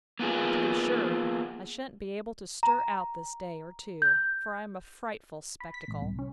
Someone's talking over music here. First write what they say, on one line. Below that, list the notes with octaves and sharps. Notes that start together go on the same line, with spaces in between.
To be sure, I shan't be able to stir out this day or two: for I am a frightful spectacle!
A#3 B3 F4 G#4
A#5
G6
B5
B6
A1
C2
C#4